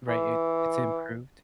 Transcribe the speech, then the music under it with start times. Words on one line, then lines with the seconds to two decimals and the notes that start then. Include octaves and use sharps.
Right. It It's improved.
0.08 E3